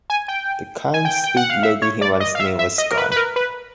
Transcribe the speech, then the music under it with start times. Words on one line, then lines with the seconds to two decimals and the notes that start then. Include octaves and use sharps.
The kind, sweet lady he once knew was gone.
0.10 G#5
0.28 G5
0.94 G#5
1.05 G5
1.24 G5
1.37 F#5
1.50 F5
1.63 E5
1.82 C#5
2.01 D5
2.20 D#5
2.35 F5
2.40 E5
2.59 E5
2.78 D#5
2.91 A#4
2.97 B4
3.12 B4
3.16 A#4
3.36 B4